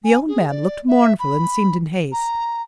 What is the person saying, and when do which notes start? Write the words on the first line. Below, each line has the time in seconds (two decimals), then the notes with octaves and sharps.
The old man looked mournful, and seemed in haste.
0.04 G#5
0.28 G#4
0.49 D5
0.88 E5
1.19 B5
2.12 A#5